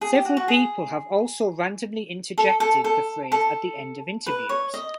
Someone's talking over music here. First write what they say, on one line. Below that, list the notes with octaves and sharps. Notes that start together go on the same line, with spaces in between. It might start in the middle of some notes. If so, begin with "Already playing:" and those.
Several people have also randomly interjected the phrase at the end of interviews.
G#4
G4
F#4
F#4
G#4
A4
A4
A4
A4
B4
C#5
D#5